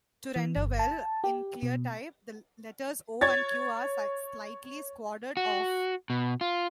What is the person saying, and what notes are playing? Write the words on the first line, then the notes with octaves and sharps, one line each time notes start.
To render well in ClearType, the letters "O" and "Q" are slightly squared-off.
E3
G1
A5
G4
B2
C#5 G#6 A6
F#4
B2
F4